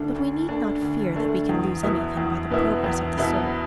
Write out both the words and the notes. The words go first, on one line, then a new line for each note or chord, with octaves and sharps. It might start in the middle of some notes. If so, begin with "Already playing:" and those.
But we need not fear that we can lose any thing by the progress of the soul.
Already playing: D2 D3 A3 D4
D2
D3 A3 D4
D2
D3 A3 D4
E2
B2 B3 E4
E2
B2 B3 E4
E2
B2 B3 E4